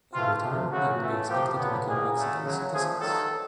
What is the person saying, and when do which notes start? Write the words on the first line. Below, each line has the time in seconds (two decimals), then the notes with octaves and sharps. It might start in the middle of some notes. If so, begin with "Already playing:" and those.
In return, they would be expected to become Mexican citizens.
0.12 C3 E3 A3 F4
0.41 F2 C3 F3 A3
0.70 F#2 C#3 F#3 A3 F#4
0.98 C#3 E3 A3
1.28 C3 F3 A#3 G4
1.57 G2 D3 F#3 B3
1.85 G#2 E3 G3 A#3 G#4
2.14 C#3 F#3 A3
2.43 F#2 C#3 F#3
2.72 A#2 F3 A3 G#4
3.00 G2 D#3 F#3 A4